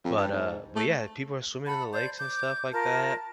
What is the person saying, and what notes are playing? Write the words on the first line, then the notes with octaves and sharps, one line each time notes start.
but, uh but yeah, people are swimming in the lakes and stuff like that.
F2
G2
G#2
A3
F#5 A5 B5
C5 D5 G6
D6 G6
F4 A#4 A5